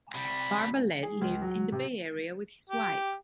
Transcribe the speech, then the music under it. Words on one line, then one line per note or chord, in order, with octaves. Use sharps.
Barbalet lives in the Bay Area with his wife.
C3 G3 B5
G#4
C#2
F#3
C3
G4